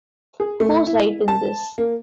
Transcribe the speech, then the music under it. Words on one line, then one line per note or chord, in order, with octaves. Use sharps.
Who's right in this?
G#4
A3
E4
A5
A#3